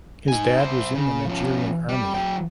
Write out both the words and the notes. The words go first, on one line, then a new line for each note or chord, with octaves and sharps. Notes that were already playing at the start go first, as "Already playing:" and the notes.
His dad was in the Nigerian Army.
D#4 G#5
E4 C5
C#3
F3 C#4
G3
F#3 G5